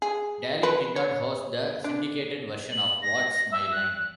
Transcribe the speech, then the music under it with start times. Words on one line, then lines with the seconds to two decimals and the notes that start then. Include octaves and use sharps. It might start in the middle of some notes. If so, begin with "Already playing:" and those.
Daly did not host the syndicated version of What's My Line?
0.02 G#4
0.63 B4
0.96 C#5
1.84 D4
2.72 F#7
3.02 A#6
3.51 E5
3.72 F#6